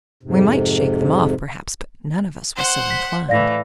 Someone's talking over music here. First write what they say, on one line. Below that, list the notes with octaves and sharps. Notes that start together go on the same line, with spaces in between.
We might shake them off, perhaps, but none of us was so inclined.
F2 G#2 C3
C5 F#5
B6
A2 E3 D5 F5 A#6